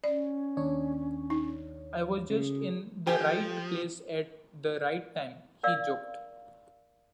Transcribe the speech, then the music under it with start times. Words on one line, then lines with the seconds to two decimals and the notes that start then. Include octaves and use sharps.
"I was just in the right place at the right time," he joked.
0.04 C#4 D5
0.57 D#2 D4 C#5
1.30 D#4
2.30 C#3 G#4
3.07 F3 G4 A4 G5 G#5
5.63 A#4 D5 F5 E6